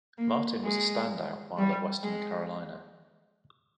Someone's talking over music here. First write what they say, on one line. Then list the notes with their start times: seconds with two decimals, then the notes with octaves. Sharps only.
Martin was a standout while at Western Carolina.
0.18 A#3
0.64 G#3
1.58 G3
2.04 G#3